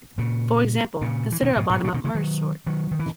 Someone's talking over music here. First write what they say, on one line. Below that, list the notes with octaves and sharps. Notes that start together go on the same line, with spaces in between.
For example, consider a bottom-up merge sort.
A#2 C#3
A#2 C#3
E3
B2 D#3
G#2 B2
G#2 B2
A#2 C#3
B2 D#3
C#3 E3
D#3 F#3
D#3 F#3
D#3
E3